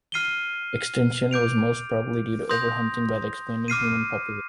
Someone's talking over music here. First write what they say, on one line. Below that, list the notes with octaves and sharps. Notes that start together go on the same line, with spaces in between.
Extinction was most probably due to overhunting by the expanding human population.
F6 C7 D#7 G7
D6 G6 D7 F7
C6 D#6 G6 A#6 F7
D6 F6 C7 D#7